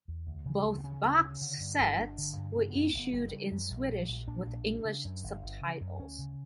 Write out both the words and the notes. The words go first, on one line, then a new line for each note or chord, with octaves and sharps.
Both box sets were issued in Swedish with English subtitles.
E2
D2
C#3
D2
B3
C#3 C#4
D2
C#3
D3
G2
G1
G1 D4
D3
G2
C#3 C#4
F#2 B3
A#3
F#1
B3
F#1 G3
A#3
C#3 G3
F#2
A#1
A#2
A#1
A#2 D4
A#1
A#2
C#3
F#2
G1
G1
C#3
F#2
D2 C#4
C#3